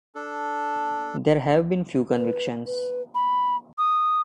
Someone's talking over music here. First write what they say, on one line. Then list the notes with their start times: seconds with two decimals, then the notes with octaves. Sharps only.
There have been few convictions.
0.15 D4 A4
2.17 B4
2.66 B4
3.14 B5
3.78 D#6